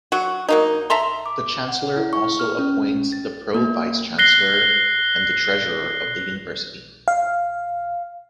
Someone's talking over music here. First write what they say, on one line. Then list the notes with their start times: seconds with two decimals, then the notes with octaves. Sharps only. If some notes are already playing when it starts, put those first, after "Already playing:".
The chancellor also appoints the pro-vice-chancellor and the treasurer of the university.
0.12 F#3 F#4
0.49 F#3 A#3 D#4
0.90 E5 A5 A#5 C6
1.26 D6
1.69 F#5
1.96 E4
2.13 C#6
2.39 F6
2.59 C#4
3.12 A6
3.55 A#3
4.18 F#6 A#6 C7 G7
7.08 F5